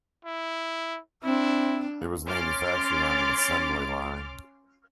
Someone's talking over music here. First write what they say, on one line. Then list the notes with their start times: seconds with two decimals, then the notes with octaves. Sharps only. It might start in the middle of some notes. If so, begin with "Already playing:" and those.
It was manufactured on an assembly line.
0.25 E4
1.24 C4 D4 E4
2.26 C#4 C6 D6 F6 A6 D7